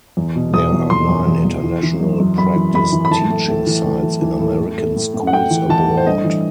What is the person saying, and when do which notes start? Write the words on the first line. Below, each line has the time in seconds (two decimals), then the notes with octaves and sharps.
There are nine international practice teaching sites in American schools abroad.
0.17 E2
0.35 B2
0.54 E2 D#6
0.73 E2
0.90 E2 C6
1.09 E2
1.27 E2
1.45 E2
1.64 E3
1.83 E3
2.01 F#2
2.20 F#2
2.38 F#2 B5
2.56 E3
2.74 F#2 B5
2.93 E3
3.05 B5
3.11 E3 A5
3.30 A2
3.48 A2
3.67 E3
3.86 A2
4.03 E3
4.22 E3
4.40 A2
4.59 A2
4.78 A2
4.96 A2
5.14 A2
5.27 F#5
5.33 A2 G5
5.51 E3
5.69 E3 A5
5.88 A2
5.97 C5
6.06 G2 D#5
6.24 E3